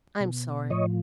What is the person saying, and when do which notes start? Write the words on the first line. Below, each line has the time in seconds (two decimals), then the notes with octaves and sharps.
I'm sorry.
0.20 B2
0.70 A2 F3 C#5 D#5